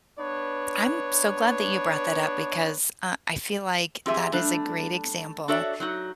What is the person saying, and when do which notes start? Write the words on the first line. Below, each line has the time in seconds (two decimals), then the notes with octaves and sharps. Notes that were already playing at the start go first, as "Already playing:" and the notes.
I'm so glad that you brought that up because, uh, I feel like that is a great example,
0.19 B3 D4 B4 C#5
4.06 C4 F4 G4 G#4 E5 G#5
4.32 G3 A3 D4
5.48 D4 F#4 A4 C#5 D5 E5
5.80 F#3 D#4 F#4